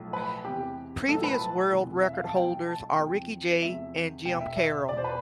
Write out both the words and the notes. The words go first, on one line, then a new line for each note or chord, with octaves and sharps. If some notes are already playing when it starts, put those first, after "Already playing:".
Previous world record holders are Ricky Jay and Jim Karol.
Already playing: B1 A2 F3
B4
E2 C3 E3 G4
B1 A2 E3 A4
B4
A5
E1 E2 C3 E3
E5
F5
A5
B1 B2 G5
A5
E2 C3 F3 G5
E2 C3 F3 E5
E1 E2 B2 G5
E5
E5
E1 E2 B2 D5
C5
B4